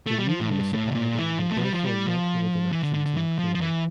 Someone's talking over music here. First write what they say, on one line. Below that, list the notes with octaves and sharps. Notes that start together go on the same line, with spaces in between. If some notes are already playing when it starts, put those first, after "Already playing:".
The new municipality will therefore not hold elections in October.
A3
G3
F3
A2
G2
A2
C3
A#2
E3
F3
A3
F3
G3
F3
G3
F3
E3
D3
D3
D3
E3
F3
F3
E3